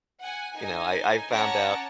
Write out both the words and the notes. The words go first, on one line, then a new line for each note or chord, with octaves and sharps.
you know, I I found out
F#5 G#5
D#4 G#5
C#4 C#5 F#5 A5 A#5 D6